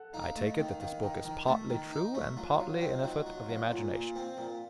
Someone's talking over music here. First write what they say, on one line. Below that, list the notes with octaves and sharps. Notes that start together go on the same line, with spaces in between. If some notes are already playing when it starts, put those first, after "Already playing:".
I take it that this book is partly true, and partly an effort of the imagination.
Already playing: A4 F#5
D#4 F5
A3 D#5
D#3
F5
D#3
D#3 D#5
D#3
A3
D#3
D#4
A3
F#3 F4
F#3 F4
C4 D#4
F#3 D#4
F#3
F4
F#3
A#2 F4
A#2
C4
A#2